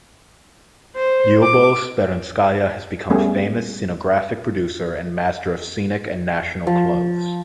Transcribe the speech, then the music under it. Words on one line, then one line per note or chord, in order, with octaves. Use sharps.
Lyubov Speranskaya has become famous scenographic producer and master of scenic and national clothes.
C5
D6
G3 A3 B3 C#4 G4 G#4
F3